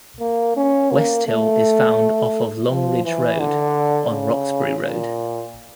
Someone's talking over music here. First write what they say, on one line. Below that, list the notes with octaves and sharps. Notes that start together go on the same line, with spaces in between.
Westhill is found off of Long Ridge Road, on Roxbury Road.
A#3
C#4
A#3
A3
F3
E3
D3
C#3
A#2